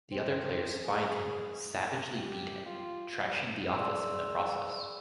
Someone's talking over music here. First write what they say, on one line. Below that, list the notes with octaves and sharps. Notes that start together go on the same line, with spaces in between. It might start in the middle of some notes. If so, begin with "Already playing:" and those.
The other players find him, savagely beat him, trashing the office in the process.
C4
G#4
G4
F4
G3
G#4 D5 C6 E6